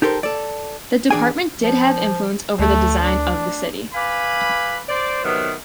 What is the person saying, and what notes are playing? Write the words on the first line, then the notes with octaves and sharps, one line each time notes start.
The department did have influence over the design of the city.
D#4 G4 A4 A#4 C5
A4 D5
E3 A3 D4 G#4 G5 G#5
F3
D2 A3
D4
B4 D5 F5 G#5 B5
C5 D5
C3 D#3 F#3 B3